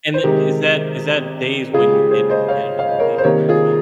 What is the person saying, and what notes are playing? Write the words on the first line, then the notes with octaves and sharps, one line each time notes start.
And tha is that is that days when you didn't get enough sleep where it's like
C5
C3 D#3 G#3 G4 A#4
C#3 G#3 F4 G#4
G4
G#4 C5
C5 D#5
C#5 F5
F5
D#5
A#4 C#5
C5
C3 D#3 G3 A#3 A#4 C#5
F4 G#4